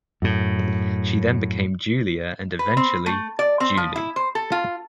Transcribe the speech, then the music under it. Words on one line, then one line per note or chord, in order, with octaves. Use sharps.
She then became "Julia" and eventually "Julie".
F#2 A2
B4
C4
A3
D5
C4
F3
E4
C5
A4
F4